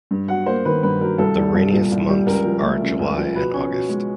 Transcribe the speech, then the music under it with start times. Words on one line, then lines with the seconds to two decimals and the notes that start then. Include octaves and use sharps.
The rainiest months are July and August.
0.11 G2
0.28 F#3 F#5
0.46 A#3 C5
0.65 D#3 B4
0.83 G2 B4
1.01 F#3 A#4
1.18 C2 A4
1.37 G3
1.54 C2
1.73 A#2
1.92 C2
2.09 G3
2.27 C#2 A#4
2.45 F3
2.63 A3
2.82 C#3
2.99 C#2
3.18 F3
3.34 B2 B4
3.54 C#4
3.71 B2
3.89 G#3